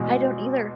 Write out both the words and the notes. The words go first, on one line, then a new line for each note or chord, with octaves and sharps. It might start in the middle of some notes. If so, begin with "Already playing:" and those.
I don't either.
Already playing: E2 B2 G#3